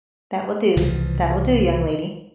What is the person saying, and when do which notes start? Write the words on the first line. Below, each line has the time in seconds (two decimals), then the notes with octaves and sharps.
That will do, that will do, young lady.
0.77 C2 C#3 E3 F3